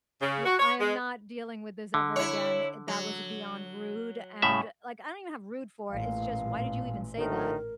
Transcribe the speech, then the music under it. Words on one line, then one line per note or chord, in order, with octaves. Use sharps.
Yeah, "I am not dealing with this ever again." That was beyond rude, and, like, I don't even have rude for it, it's just, why did you even say that?
C#3
F#4
C#5
G#3
D3
E4 C#5
F#3
A2 C#3 E5
A1 A#2 F5
D2 A2 D#3 A#4